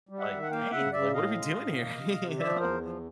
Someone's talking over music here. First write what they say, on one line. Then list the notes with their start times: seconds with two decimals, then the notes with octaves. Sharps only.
like, "Dang, like, what are we doing here?" you know?
0.09 G3
0.19 E5 F#5
0.30 D#3
0.42 F#5
0.51 A#3 F5 G5
0.72 C#3 E5 F#5
0.92 C#3 D5 E5
1.13 A2 D#5 F5
1.34 G#3
1.55 A2
1.76 A#3
1.97 C3
2.18 C3
2.39 F3 D5 E5
2.60 E2 A#4 C5
2.81 F3